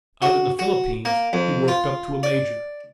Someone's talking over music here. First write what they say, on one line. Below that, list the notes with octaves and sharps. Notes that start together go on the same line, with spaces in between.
Out in the Philippines he worked up to a Major.
F#4
F#4
A#3
F2
F4
D5